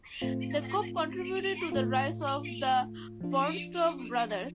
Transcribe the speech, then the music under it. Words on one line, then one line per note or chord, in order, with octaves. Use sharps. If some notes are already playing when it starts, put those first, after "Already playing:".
The coup contributed to the rise of the Vorontsov brothers.
A2 A3 C4 F4
A2 A3 F4
F3 D4 F4